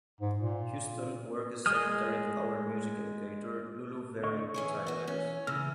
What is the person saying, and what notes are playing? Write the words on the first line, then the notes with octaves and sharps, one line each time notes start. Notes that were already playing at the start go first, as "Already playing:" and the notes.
Houston worked as secretary to Howard music educator Lulu Vere Childers.
G#2
A#2
G#3 D#6 F6
D3 D#5 C#6
E3 C#4 G#4 C#5 C#6
B3 F#4
C#4
C#3 E3 E6 F6